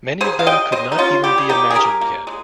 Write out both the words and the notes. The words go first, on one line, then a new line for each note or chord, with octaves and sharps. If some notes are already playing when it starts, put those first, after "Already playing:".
Many of them could not even be imagined yet.
D#3 G#4 C5
F5
C3 D#5 G5
C3 C5 D#5
D#4
C3 C#4 F4
G3 G4
G#4
D#3 D#4 G4
G#4
D#3 G4 A#4
A#3
G#3